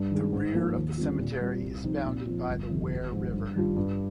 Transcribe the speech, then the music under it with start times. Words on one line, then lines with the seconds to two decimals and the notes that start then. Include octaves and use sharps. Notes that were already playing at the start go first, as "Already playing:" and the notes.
The rear of the cemetery is bounded by the Ware River.
Already playing: G2
0.11 D#3 G#3
0.32 G#2
0.55 F3 A#3 D#4
0.76 D#2
0.97 D3 G3 C4 F4
1.19 A#2
1.41 G3 C4 F4
1.61 C2
1.83 C3 F3 C4 D#4
2.05 A#2
2.26 F3 C4 F4
2.48 G1
2.70 F2 C3 D#3
2.90 G#1
3.12 G#2 F3
3.33 G2
3.55 D#3 G3 D4 F4
3.76 G2